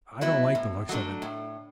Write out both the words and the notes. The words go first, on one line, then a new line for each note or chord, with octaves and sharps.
I don't like the looks of it.
F#3 B3 E4
A2
F#3 A3 D4
A2